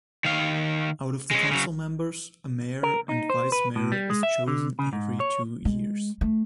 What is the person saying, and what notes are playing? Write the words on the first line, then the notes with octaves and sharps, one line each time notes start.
Out of the council members, a mayor and vice-mayor is chosen every two years.
D#3 F5
G#3 C#4
C#3 F#3
A#4
D#4
C5
B4
A2
G3
G#3
E5
D3
C#3
G#2
C#5
G#3
A3